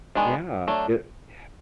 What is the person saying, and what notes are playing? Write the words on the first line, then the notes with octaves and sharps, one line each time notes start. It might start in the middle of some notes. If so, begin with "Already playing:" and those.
Yeah, it yeah,
D#3 G#3 B3 D4
F#3 A3 D4